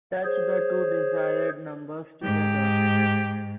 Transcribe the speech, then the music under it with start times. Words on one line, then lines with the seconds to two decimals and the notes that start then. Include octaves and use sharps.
Touch the two desired numbers together.
0.25 G#4 C5 C#5
2.23 G#2 G4